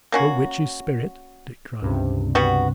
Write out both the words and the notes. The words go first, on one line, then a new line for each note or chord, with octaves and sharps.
"For a witch's spirit?" Dick cried.
A#3 C#4 F#4
C#2 G2 C3
G3 B3 F#4